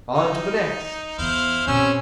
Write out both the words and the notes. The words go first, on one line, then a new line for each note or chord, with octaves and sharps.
"On to the next!"
D#4
E2 E4 C5 F5
A#2 G3 C4 C#4 C5 E6